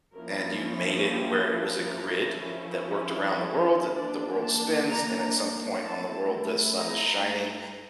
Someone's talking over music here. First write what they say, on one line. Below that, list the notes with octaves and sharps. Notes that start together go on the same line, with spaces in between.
and you made it where it was a grid that worked around the world, th the world spins, and at some point on the world, the sun is shining
F3 A#3 C#4 E4 A#4
G4
A4
A#4
F3 C#4 E4
E3 A#3 D4 D5
A5
A#5
A3 E4 A5
A#5